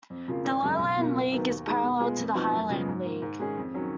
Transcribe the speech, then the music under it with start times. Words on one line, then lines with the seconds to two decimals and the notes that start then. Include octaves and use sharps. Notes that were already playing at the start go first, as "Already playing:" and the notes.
The Lowland League is parallel to the Highland League.
0.10 F2
0.28 C#3 F3 A#3 F4
0.45 G#1
0.62 F#2 C#3 G#3
0.79 B1
0.97 B2 A#3 F4
1.14 F#1
1.32 F#2 D#3 F#3 B3
1.49 D#2
1.66 D#3 G#3 D#4 G#4
1.83 B2
2.00 G#3 B3 F4 G#4
2.18 F2
2.35 F3 B3 D#4 F#4
2.52 F#2
2.70 C#3 F3 G#3 B3
2.87 G#2
3.05 D#3 A#3
3.22 G#2
3.40 D#3 G#3 C#4 G#4
3.57 F2
3.74 D#3 F#3 C#4